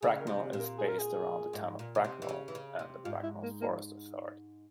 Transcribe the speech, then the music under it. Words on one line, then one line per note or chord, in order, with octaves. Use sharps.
Bracknell is based around the town of Bracknell and the Bracknell Forest authority.
C#3 G#4
A#4
C3
G#4
A#2
A#4
G#4
A#4
G#4
G#2
A#2
C#3
C3
E3
C#3
E3
C#3
C3
G#2 F4
E4
A#3
A#3